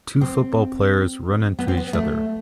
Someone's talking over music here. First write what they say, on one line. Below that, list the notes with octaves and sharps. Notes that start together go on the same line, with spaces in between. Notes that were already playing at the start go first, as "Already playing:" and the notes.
Two football players run into each other.
C4
B3
C4
B3
A3